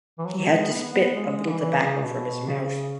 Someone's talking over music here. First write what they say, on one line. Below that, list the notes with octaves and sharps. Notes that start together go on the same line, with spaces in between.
He had to spit a little tobacco from his mouth.
E3
F#3
F#3
G#3
G#3
B3
B3
B3
B3
G#3
G#3
G#3
E3
E3
C#3
B2
C#3